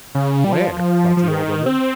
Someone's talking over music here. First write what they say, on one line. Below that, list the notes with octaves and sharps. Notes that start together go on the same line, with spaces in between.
"Where?" thought the old woman.
C#3
G3
F3
F3
D#3
C4